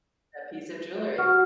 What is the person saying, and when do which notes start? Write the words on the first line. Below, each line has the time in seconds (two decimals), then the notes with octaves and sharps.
that piece of jewelry."
1.18 F#4 F6